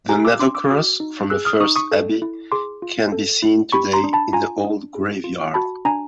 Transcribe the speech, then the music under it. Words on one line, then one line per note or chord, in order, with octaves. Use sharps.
The Nethercross from the first abbey can be seen today in the old graveyard.
G4 G#5 A#5
D6 E6
D4 C6 D6
D6 E6
F#4 D6 E6
D#4
G#4 E6 F#6
D#6 F6
D#4 C#6 D#6
C#6 D#6
A4
E4
G#4 C6 D6
F4
A4
E4
G4 B5 C#6
A#5 C6
D4
A5 B5
F4 G#5 A#5
D4
G#4
F4
F#4 A5 B5
D4 G#5 A#5